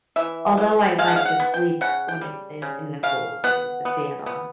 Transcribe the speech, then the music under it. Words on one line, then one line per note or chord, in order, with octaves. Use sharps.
Although I like to sleep when it in the in the cold, like with the fan on.
E3 E5
E3
G#3 F5
F#5
F5
F#5
B3
G5
C#3 F#5
G5
G3
C#3
C#3 F5
B3 F#5
B3
B3